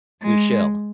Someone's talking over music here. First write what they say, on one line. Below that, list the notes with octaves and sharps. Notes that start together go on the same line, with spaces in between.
We shall.
G#3